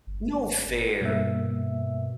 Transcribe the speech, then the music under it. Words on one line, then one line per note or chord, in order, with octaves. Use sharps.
No fair.
G1
G2 B2 A#3 E5